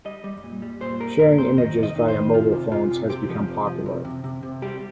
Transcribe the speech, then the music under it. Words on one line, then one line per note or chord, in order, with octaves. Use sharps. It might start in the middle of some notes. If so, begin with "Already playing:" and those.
Sharing images via mobile phones has become popular.
G3 D#5
G3
A#2
G3
A#2 C5
G3 A#4
A#2 A#4
A#2 C5
D#3 D#5
C3
D#5
D#3
C5
D#3
C3 F4
C3
C3 F4
C3
C3 G4
F3
C3
F3
C3
C3
C3
C3
G3 G4